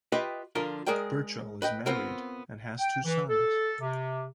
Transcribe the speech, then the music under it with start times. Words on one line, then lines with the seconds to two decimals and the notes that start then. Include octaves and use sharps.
Birchall is married and has two sons.
0.12 F4 G4 B4 D#5 E5 G5
0.55 D3 F3 F4 A#4
0.86 G#3 G#4 A#4 D5 G5
1.62 B4 D#5 G5
1.86 B3 C4 F4 A#4
2.79 G5
3.05 E3
3.29 A4
3.80 C3